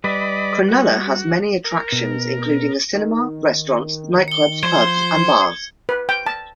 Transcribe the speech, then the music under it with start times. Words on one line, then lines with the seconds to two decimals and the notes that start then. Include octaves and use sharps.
Cronulla has many attractions including a cinema, restaurants, nightclubs, pubs and bars.
0.04 G3 B4 D5 D#5 B5
0.68 F#4
1.64 A#4
1.92 B2
2.95 D#3
4.28 C#7 G7
4.63 F3 C5 G#6
5.89 B4
6.09 G5
6.26 A5